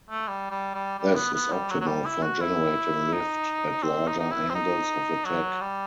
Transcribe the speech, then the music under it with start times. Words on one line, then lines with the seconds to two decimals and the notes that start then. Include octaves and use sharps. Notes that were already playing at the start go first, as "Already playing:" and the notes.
This is optimal for generating lift at larger angles of attack.
0.10 A3
0.28 G3
0.51 G3
0.75 G3
0.99 G3
1.16 B3
1.34 B3
1.52 G3
1.70 F#3
1.80 F#3
1.87 G3
2.06 E4
2.22 F#4
2.41 E4
3.13 D#4
3.83 C4
4.08 D#4
4.20 D#4
4.31 E4
4.50 C4
4.55 D#4
5.25 F#3
5.61 G3